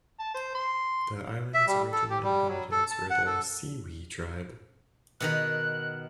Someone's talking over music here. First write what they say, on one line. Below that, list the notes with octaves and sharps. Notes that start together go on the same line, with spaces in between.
The island's original inhabitants were the Sewee tribe.
A5
C5
C6
E5
G3
A4
G4
G3
F#3
A4
A5
F#5
A4
B2 D#3 A#4 F#6